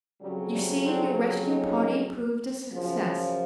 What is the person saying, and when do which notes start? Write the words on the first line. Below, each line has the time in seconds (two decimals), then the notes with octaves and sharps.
You see, your rescue party proved a success.
0.21 F2 C#3 F#3 G3
0.52 G3 A3
0.83 C4 D4
1.46 C#4 D#4
2.72 F#2 C#3 F3